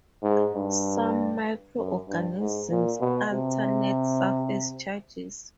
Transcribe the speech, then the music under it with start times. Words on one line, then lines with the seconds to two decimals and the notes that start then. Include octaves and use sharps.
Some microorganisms alter net surface charges.
0.23 G#2
0.55 G2
1.78 F#2
2.08 G2
2.40 G#2
2.70 A#2
3.00 B2
3.32 C3